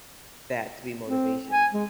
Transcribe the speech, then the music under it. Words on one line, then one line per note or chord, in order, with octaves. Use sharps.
that to be motivation.
C4
G#5
G#3